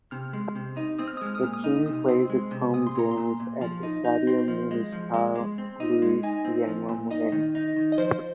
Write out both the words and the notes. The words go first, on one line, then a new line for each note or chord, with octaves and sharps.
The team plays its home games at Estadio Municipal Luis Guillermo Moreno.
C3 F6
G#3
C3
D#4
C4 D#6
F6
D#6
G#3
F6
D#6
A#2 F6
D#6
D#4
C3 D#6
C4
G#3
C3
A#2 D#6
C6
A#2 A#5
C6
A#2
A#2
F3
D#4
D#4
C4
F3
G#3
F3
G#3
G#3
C4
D#4
G#3
D#4 G#5
C4
F3
A#2
D#4 D#5
D#3
D#4
D#3
D#5
F3 C5